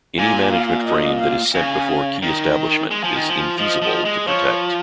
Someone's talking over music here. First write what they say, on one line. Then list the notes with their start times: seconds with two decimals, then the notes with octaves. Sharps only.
Any management frame that is sent before key establishment is infeasible to protect.
0.19 A#2 G#5
0.52 F5
0.86 D#5
1.20 F5
1.54 C#3 G#5
2.22 D#3 A#5
2.91 G#3 G#5
3.04 F3
3.16 D#3
3.29 F3
3.59 F3 D#5
3.82 F3
4.05 G#3
4.27 F3 C#5